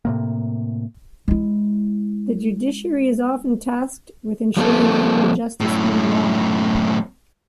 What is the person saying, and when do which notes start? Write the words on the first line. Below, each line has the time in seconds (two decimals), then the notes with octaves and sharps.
The Judiciary is often tasked with ensuring equal justice under law.
0.05 A2 C3 A#3
1.28 G#3 E4
4.57 F3 G3 A#3 C4 A4
5.61 F#2 A2